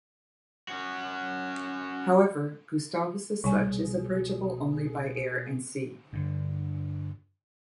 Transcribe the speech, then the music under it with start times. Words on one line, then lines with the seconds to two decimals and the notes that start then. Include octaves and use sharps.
However, Gustavus as such is approachable only by air and sea.
0.68 C#4 F#4
3.44 C2 B2 G3 G#4 G#5
6.13 G2 D3